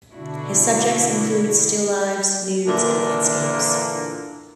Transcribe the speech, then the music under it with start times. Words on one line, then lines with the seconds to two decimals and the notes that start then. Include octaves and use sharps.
His subjects include still-lives, nudes, and landscapes.
0.13 B2 D3 D4 E4 F#4
2.66 A#2 D3 E3 A#3 D4 A#4